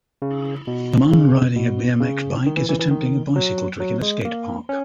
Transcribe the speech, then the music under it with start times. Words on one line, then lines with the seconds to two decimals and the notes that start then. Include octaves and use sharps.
A man riding a BMX bike is attempting a bicycle trick in a skate park.
0.22 C#3
0.67 B2
1.11 C#3
1.56 B2
2.00 C#3
2.46 D#3
2.57 E3
2.69 E3
2.79 E3
2.91 D#3
3.36 F#3
3.80 F#3
4.02 G#3
4.25 A#3
4.69 C#4